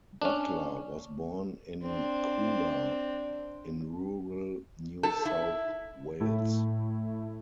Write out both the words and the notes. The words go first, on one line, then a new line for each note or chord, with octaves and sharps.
Butler was born in Coolah in rural New South Wales.
C#4 D4
C4 D4
A4
E4
A2 A3 E4